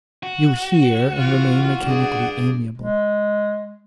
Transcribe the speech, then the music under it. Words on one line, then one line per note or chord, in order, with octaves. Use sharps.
You hear, and remain mechanically amiable.
F#4
E3 F4
G2 D4 G#4
G#3